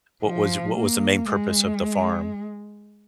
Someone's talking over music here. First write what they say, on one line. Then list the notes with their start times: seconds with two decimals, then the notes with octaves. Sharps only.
what was what was the main purpose of the farm?
0.21 F3
0.75 A#3
1.28 G#3